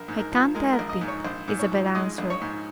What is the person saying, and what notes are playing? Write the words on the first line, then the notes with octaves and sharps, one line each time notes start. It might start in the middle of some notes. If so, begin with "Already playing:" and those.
"I can't help it," Isabel answered.
Already playing: A#1 A#4
G#2
A#4
F3
G#3 A#4
A#4
A#1
D#5
G#2
C#5
A#1 C5
G#2
C#5
F3
G#3 D#5
A#1
C#5
G#2